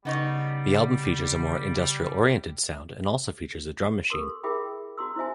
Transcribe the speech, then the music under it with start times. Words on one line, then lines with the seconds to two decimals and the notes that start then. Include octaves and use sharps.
The album features a more industrial-oriented sound and also features a drum machine.
0.05 C#3 G3 B3 D#4 C#5
4.10 G4 A4 A#4 C6
4.44 E4 G#4 A#4 E5 G5 B5
4.98 F#4 A#5 C6 E6
5.16 E4 C5 E5 G#5